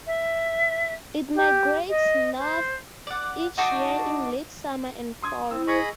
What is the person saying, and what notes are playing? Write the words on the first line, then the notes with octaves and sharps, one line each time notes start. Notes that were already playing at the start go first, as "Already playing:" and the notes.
It migrates north each year in late summer and fall.
E5
G4
D#5
C5
D5 F#5
D4 D#4 F#4 D#5
C6 D#6 G#6
C4 E4 C5 E6
G#4 D#5 B5 C#6 G#6 C#7